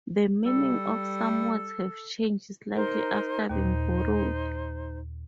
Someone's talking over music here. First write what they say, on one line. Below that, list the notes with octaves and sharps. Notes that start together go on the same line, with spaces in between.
The meaning of some words have changed slightly after being borrowed.
G3 A4
D#4 A#4 C5
D#2 A#2 D#4 C5